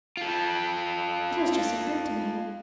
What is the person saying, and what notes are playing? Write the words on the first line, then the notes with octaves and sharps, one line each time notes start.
It has just occurred to me!
F4 A4